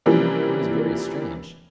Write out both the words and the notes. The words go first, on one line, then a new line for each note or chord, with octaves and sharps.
It was very strange!
C3 E3 F3 G3 A#3 C#4